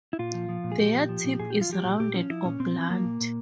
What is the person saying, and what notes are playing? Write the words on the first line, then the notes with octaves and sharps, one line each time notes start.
Their tip is rounded or blunt.
E4
A#2 F4
F3
F3
A#2
G#4
A#2 G4
F3
F3
A#2
A#2 G#4
F3 G4
F4
F3 G4
A#2
A#2 G4
F3 C#4
F3 E4
A#2 C#4
A#2 C4
F3
F3 A#3
A#2
A#2